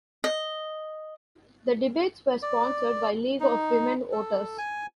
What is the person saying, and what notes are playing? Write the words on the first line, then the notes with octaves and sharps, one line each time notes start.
The debates were sponsored by League of Women Voters.
D#5
D5
D#4
A4
G#5